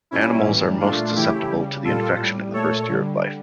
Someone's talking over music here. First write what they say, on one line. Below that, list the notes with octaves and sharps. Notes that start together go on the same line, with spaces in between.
Animals are most susceptible to the infection in the first year of life.
A#2 G3 C#4 E4
A2 E3 G3
A#2 A3 D4 F4
C#3 E3 A3 E4 G4
C#3 G3
A#2 G3 F4 A4
A2 G3
A#2 A3 A4 C#5
D3 G3